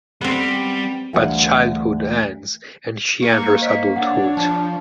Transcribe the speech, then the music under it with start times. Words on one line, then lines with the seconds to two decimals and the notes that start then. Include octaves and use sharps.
But childhood ends and she enters adulthood.
0.21 G3 B3 C4
1.13 D2 E3 G3 F5 F#5
3.22 A#3 C#6
3.62 C5 D#5 B6
3.96 D4 C#5 F#5
4.37 F3 A5